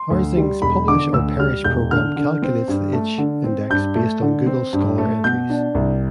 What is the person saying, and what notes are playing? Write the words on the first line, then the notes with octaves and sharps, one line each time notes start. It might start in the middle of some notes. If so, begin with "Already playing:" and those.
Harzing's "Publish or Perish" program calculates the "h"-index based on Google Scholar entries.
Already playing: C6
D2
G3
E1 B5
D3 D6
D2 E6
G3 F6
E1 G6
D3 F6
D3
C4
G2
A3
D3
C4
G2 G6
A3
D3
C4
G2
A3
B2 G6
D4
C2